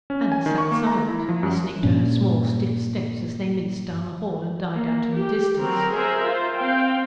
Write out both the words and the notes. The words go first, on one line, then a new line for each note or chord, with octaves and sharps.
Anna sat silent, listening to her small stiff steps as they minced down the hall and died out in the distance.
C#4
G#5
D#3
C#6
A#3
A#5
E4
F3
F#2
G2 A#2 C#4
A#3
G4
F#3 C4 A#4
G#4 A#4 C5 E5
F4 C5
C4 F5 G5